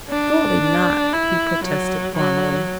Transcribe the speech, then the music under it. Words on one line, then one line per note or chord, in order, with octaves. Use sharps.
'Surely not!' he protested formally.
D4
E4
F#3
F#3